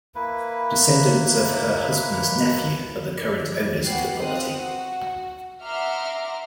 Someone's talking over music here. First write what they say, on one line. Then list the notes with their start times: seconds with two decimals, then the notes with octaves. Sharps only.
Descendants of her husband's nephew are the current owners of the property.
0.15 A#3 E4 B4
3.84 B3 F#4 G4 B4 F#6 C7
4.18 C4 D#4 F5 D#6 F#6
4.52 F#4
5.63 E5 F#5 A#5 C6 D6 F6